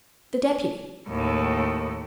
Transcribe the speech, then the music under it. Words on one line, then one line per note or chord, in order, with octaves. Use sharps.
"The deputy."
D#2 A2